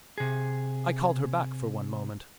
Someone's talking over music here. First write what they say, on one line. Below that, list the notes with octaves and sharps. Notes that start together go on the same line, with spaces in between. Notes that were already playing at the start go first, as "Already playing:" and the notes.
I called her back for one moment.
C3 G#4